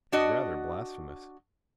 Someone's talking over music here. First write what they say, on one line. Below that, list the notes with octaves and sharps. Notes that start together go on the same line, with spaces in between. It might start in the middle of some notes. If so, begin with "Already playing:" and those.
He's rather blasphemous.
D4 F#4 D#5